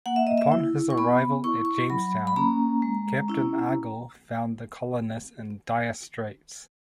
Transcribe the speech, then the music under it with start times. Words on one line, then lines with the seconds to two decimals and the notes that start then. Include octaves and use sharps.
Upon his arrival at Jamestown, Captain Argall found the colonists in dire straits.
0.06 A#3 F#5
0.16 E5
0.27 D#5
0.38 E5
0.52 E4
0.90 C#6
0.98 B3 B5
1.44 E4 C#6
1.65 C#6
1.90 F#3 B5
2.27 B5
2.36 A#3 C#4 A#5
2.82 G#3
3.28 C#4 E4